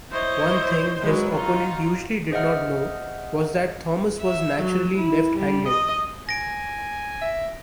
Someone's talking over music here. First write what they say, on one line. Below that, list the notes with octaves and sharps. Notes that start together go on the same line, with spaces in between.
One thing his opponent usually did not know was that Thomas was naturally left-handed.
E4 C5 C#5 D#5 E5 C6
F#3 G#3 B4
D#4 F4 F#4
G#4 C5 D#5 E5 F#5 F6
E5
F#3
E4
G3
D#5
G#5 A#6 D7
E5